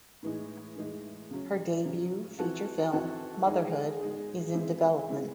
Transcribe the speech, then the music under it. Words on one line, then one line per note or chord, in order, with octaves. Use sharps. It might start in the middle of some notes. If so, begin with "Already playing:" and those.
Her debut feature film "Motherhood" is in development.
A2 E3 G#3 D#4
A2 E3 G#3 D#4
C#3 F#3 C#4
C#3 F#3 C#4
E3 C4 F#4 A4
E3 C4 F#4 A4
G#3 D#4 G#4
G#3 D#4 G#4
G#3 C4 E4 G#4
G#3 C4 E4 G#4